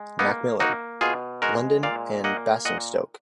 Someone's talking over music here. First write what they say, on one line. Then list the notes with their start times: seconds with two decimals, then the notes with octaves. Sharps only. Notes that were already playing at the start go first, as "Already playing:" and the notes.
Macmillan: London and Basingstoke.
Already playing: G#3
0.19 A#3 B3 D#4
0.60 A#3 D#4 F#4
1.01 B2 F4 G#4
1.42 G#3 F#4 A#4
1.83 A#2 D5 F5
2.24 A#3 D#5 F#5
2.65 A#2 D#5 F#5